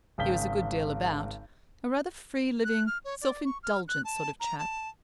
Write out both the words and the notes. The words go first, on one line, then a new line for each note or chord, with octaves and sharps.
He was a good deal about--a rather free-living, self-indulgent sort of chap.
G#1 C#3 G5 G6 B6 G7
F#6
F6
C#5
D5
C#6
F6
F#6
A5
A#5
A5